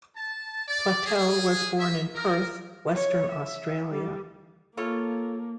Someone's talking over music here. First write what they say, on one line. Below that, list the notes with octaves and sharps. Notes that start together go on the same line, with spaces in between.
Platell was born in Perth, Western Australia.
A5
D5
G#4
E5
A#4
C#5
E5
G3
A#3 F4 A4 C#5